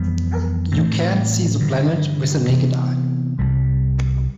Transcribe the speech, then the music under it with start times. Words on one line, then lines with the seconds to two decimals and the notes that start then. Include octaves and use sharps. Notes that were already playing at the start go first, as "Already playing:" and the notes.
You can't see the planet with the naked eye.
Already playing: F2 E3 G3 B3
0.72 A2 E3 A3 C4
1.60 G2 D3 G3
2.49 C3 E3 B3
3.39 C2 C3 G3